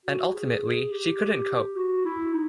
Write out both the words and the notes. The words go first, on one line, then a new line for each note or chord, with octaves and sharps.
And ultimately, she couldn't cope.
F#4
G#4
G#4
G4
F#4
E4
D#4